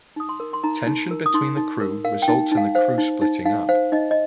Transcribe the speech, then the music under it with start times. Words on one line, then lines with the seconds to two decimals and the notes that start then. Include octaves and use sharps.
Tension between the crew results in the crew splitting up.
0.16 D#4 D#6
0.29 C6
0.40 A#4
0.53 C6
0.64 D#4 A#5
0.87 D#4
1.11 A#4
1.26 D#6
1.34 D#4 C6
1.57 D#4
1.81 A#4
2.04 A#4 F5
2.22 G5
2.28 D#4
2.51 D#4
2.57 F5
2.75 C5 F5
2.98 D#4
3.22 D#4
3.46 D#4 F5
3.69 C5 F5
3.92 D#4 D#5
4.11 D#5